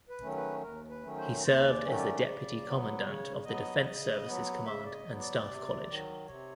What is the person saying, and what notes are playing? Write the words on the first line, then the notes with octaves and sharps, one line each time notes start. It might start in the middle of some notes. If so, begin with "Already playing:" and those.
He served as the Deputy Commandant of the Defence Services Command and Staff College.
B4
D#3 F#3 A3 C#4
B4
D#2 A#4
B4
D#3 F#3 A3 C#4
C5
D#2 C5
D5
D#3 F#3 A3 C#4
D5
C#3
F#3 B3
C#3 C#5
F#3 B3 D#5
C#3
F#3 B3
C#3 E5
D5
D#5
F#3 B3
D5
C3
D#3 F#3
C3 C#5